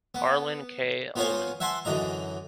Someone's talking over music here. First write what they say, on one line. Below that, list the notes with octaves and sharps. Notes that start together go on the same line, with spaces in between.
Harlan K. Ullman.
B3
B3 F4 A#4 C5 C#5 G#5
E5 F#5 G#5 A5 C6
F#2 D3 E3 D#5 A#5